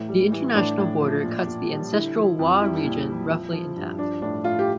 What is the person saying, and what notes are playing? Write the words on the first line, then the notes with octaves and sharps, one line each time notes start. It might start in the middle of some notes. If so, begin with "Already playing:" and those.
The international border cuts the ancestral Wa region roughly in half.
Already playing: A2 E3
G3
E3
A2 D4
A2
F3
A#2
A#2
G3
D3 E4
F3
F2
G3 E4
A#2
G3
F3
F3
G2
F3 D4
A2 D4
A2 F4
G4